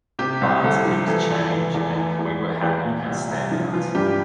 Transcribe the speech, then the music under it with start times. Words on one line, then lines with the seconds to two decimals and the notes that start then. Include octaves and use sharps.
Barnes picked "Change" and "We Were Happy" as standouts.
0.19 C3 G4
0.41 C2
0.64 C2 A4
0.85 F3
1.07 E3 A4
1.30 E2
1.52 E3
1.74 E2
1.96 E3
2.19 E2
2.40 E3
2.62 E2
2.85 A#2
3.06 C2
3.29 C2
3.51 F3
3.73 E3 F4
3.95 G2 G4